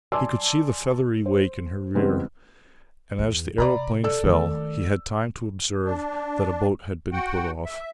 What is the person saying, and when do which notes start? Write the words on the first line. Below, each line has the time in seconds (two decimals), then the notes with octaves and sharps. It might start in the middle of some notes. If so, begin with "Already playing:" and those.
He could see the feathery wake in her rear, and as the aeroplane fell he had time to observe that a boat had been put off.
0.12 D5 G#5 A5 C6 D6 E6
1.26 C5
1.95 C#3 E3 G3 G#3 B3 C4
3.19 E2
3.58 C3 D5 A#5 B5
4.04 A4 D5 E6
4.24 D#3 A3
5.86 D4
7.12 F#4 F#5 G5
7.65 E5